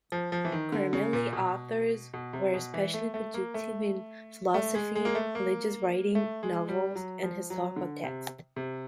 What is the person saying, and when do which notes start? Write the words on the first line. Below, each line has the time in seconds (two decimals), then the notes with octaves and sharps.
Karamanli authors were especially productive in philosophy, religious writings, novels, and historical texts.
0.12 F3
0.32 F3
0.45 E3
0.52 D#3
0.72 D3
0.93 C#3
1.13 A#2
1.33 B2
2.14 B2
2.33 C3
2.54 B2
2.74 E3
2.94 A3
3.14 A3
3.34 A#3
3.54 A3
4.54 A3
4.75 G#3
4.95 G#3
5.05 A#3
5.15 A3
5.35 A#3
6.15 A3
6.43 G#3
6.69 G3
6.95 F#3
7.23 F3
7.50 F#3
7.76 D3
8.04 C3
8.56 C3